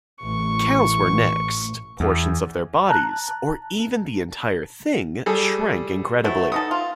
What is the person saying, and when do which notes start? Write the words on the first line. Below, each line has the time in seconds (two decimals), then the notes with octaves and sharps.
Cows were next, portions of their bodies, or even the entire thing, shrank incredibly.
0.23 A1 A2 C#6
2.00 E2
2.89 A5 A#5 F#6
5.26 G3 G#4 A4
6.24 F#3 A3 E4
6.52 B3 D#4 A4 D#6
6.71 F4